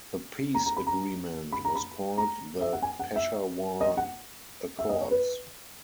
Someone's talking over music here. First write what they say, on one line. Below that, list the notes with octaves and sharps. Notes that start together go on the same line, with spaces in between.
The peace agreement was called the Peshawar Accords.
A#5
A#5
B5
A#5
B5
A#5
B5
A#5
E5
F#5
G#5
F#5
E5
D#5
F#5
E5
D#5
C#5
B4